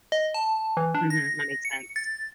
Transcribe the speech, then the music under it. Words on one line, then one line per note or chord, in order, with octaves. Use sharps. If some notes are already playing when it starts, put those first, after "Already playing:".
Mhm, that makes sense.
D#5
A5
E3
D4
A#6
C#7
A6